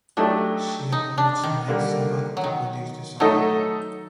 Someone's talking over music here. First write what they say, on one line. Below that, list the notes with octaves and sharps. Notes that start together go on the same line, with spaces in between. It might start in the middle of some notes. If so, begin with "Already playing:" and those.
She approached Mike Sabath to produce the song.
F#3 A3 D4 D#4 G4 D5
D#4
D4
D#3
D3 G3 A#3
F#3
D#3
F#3 A3 D#4 A4